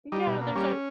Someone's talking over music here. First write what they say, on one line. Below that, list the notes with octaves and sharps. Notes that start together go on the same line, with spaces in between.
Yeah, there's a
G3 D#4
B2
A#3
G3 C#4